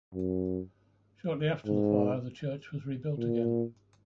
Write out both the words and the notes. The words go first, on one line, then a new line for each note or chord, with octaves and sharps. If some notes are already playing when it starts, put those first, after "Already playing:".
Shortly after the fire, the church was rebuilt again.
F#2
G#2
A#2